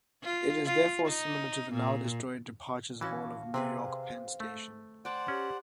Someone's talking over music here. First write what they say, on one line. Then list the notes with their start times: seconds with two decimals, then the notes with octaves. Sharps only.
It is therefore similar to the now-destroyed departures hall of New York Penn Station.
0.24 F4
0.66 F4
1.09 D#4
1.73 A#2
3.01 E3 C#4 F#4 F5 A5
3.54 C3 C4 G#4 B4
4.40 A3
5.05 C5 D5 F#5 G5 A5
5.28 C#4 G4